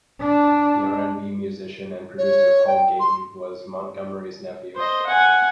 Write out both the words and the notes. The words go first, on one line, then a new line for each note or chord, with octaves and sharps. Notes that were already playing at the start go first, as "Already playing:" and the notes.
The R and B musician and producer Paul Gayten was Montgomery's nephew.
D4
C#5
G5
C6
C5 D#5
F#5 G#5